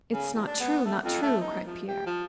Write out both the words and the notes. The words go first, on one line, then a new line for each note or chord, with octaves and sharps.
"It's not true, not true!" cried Pierre.
C#3
E2
D4
B3
A3
F2
A3
D#4
F3
G4
F3